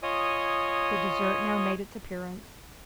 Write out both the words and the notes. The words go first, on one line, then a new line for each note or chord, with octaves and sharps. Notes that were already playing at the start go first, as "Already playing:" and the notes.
The dessert now made its appearance.
F4 C#5 D#5 G#5 D#6